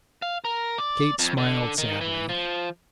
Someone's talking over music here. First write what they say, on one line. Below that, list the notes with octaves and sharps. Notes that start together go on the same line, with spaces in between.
Kate smiled sadly.
F5
A#4
D5
F2
D3
D#3
E3
F3